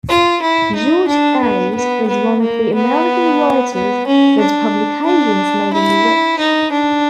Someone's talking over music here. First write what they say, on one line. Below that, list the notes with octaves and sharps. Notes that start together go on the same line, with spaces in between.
George Ade is one of the American writers whose publications made him rich.
F4
E4
D#4
D4
B3
B3
B3
A#3
B3
B3
C#4
D4
D4
E4
D#4
D4